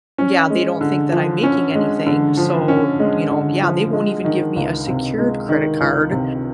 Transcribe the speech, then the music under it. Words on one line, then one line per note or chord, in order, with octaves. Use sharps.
Yeah, they don't think that I'm making anything, so, you know, yeah, they won't even give me a secured credit card,
C#4
G#3
D3
F3
C#4
G#3
D3
F3
C#4
G#3
D3
F3
G#3
D#3
C#2
C3
G#3
D#3
C#2
C3